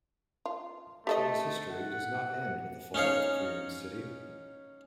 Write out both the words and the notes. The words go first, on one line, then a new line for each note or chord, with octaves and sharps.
Troy's history does not end with the fall of Priam's city.
F4
A3 G4 A4 D#5
F#5
C#4 D#4 C#5 F5